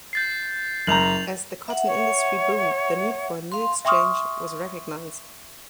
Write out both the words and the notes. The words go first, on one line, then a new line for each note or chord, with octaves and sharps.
As the cotton industry boomed, the need for a new exchange was recognised.
G6 A6 C7
F#1 A#5 G6 F7 F#7
E5 F#5
C#5
F5 C6
E5 G5 C6 C#6 D#6 F6